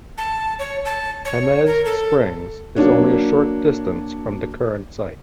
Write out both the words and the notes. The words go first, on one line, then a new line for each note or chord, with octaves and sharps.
Jemez Springs was only a short distance from the current site.
A5
C#5
A5
C#5
A#4
A4
F#3 A#3 D4 C#5